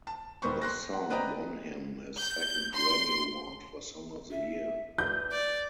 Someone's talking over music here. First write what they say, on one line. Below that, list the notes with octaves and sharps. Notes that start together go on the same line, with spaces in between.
The song won him his second Grammy Award for Song of the Year.
A5
D#1 D#3 B3 C5 C6 C#6
C6 F#6 A#6
F#5
C4 B4 D5 D#5 G5 A#5
G6
C6
E5
B4 G6
D5